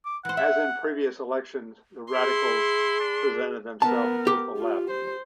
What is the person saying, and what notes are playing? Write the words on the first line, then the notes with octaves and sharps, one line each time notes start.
As in previous elections, the radicals presented themselves with the left.
D6
E3 C5 F#5
E5
E4 G#4 C6
D4
B3 A#4 A5
G4
F4
C5